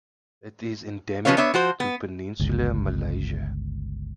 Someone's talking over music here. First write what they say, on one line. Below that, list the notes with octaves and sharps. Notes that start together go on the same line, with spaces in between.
It is endemic to Peninsular Malaysia.
F3 B3 C#4 B4 C#5 F5
B3 D4 C#5 E5
F3 F#4 C5
B3
G1 C#2